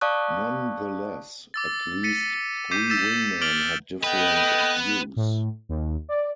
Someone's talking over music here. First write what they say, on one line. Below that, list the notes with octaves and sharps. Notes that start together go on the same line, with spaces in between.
Nonetheless, at least three wingmen had different views.
D5 F5 A5 C#6 D#6 F#6
D6 E6 A6
A6 B6 C#7 D#7
D6 G6 B6 C7 D#7
E6 A6 B6 E7
D6 F6 A6 D7 F#7 G7
B3 A4 B4 D#5 G5
A2
D#2
D5